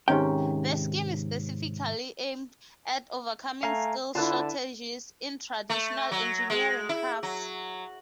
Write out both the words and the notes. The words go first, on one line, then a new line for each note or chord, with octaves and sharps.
The scheme is specifically aimed at overcoming skills shortages in traditional engineering crafts.
G#2 C3 D#3 C#4 G5
A3 F5 G#5 A#5
D3 E4 F4 B4 A5
A3
F#3
G#3
E4
F#3